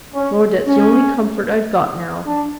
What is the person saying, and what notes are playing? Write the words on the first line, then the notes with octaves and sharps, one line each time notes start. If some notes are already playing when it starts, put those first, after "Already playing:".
Lord, that's the only comfort I've got now!
C#4
C#4
D4